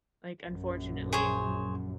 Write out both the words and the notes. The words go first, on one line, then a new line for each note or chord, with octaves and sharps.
Like, unfortunately I
A#1 F#2
G#4 C5 C#5